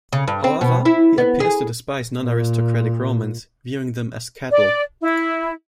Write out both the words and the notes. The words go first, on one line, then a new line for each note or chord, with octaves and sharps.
However, he appears to despise non-aristocratic Romans, viewing them as cattle.
C#3
G2
C4
B2
E4
B3
G#4
A#2
D5
E4